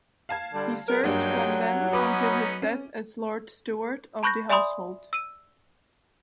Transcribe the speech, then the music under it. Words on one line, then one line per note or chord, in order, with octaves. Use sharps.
He served from then until his death as Lord Steward of the Household.
F5 A5 G#6
D3 G3
F#3 G#3 A#4
G2 F#3 G#3 A#3 D4 D#4 G5
B3 C#4 D#4 F#4 B4 D6
C#4
A5 B5 C#6 F#6 G6 A#6
D5 E5 G#5 B5 C6 D#6
E6 D#7